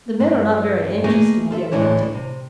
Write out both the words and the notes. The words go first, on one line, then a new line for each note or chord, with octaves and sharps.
The men are not very anxious to begin hunting.
G2 C4 D4
A3 A#3 G#4 B4 D#5 G#5
F4 A4 E5
D2 A2 D#3 E3 D4 C#5
C3